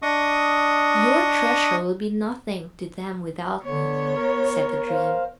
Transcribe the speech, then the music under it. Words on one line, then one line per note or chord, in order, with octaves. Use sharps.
"Your treasure will be nothing to them without me," said the dream.
D4 D#5 C#6 D#6
D3 B3 C#5
A#4
C5 F5